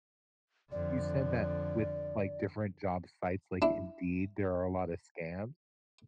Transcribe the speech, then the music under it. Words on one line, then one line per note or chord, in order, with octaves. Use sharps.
you said that with, like, different job sites like Indeed, there are a lotta scams.
F2 D3 D5
D4 E4